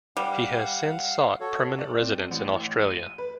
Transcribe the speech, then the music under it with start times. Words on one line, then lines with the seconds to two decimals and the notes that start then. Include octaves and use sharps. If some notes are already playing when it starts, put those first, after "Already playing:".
He has since sought permanent residence in Australia.
0.17 G3 F5 F#5
1.40 F#4 A4 C#5
1.79 D5
2.02 C4
2.31 A1
2.85 D#7
3.18 B4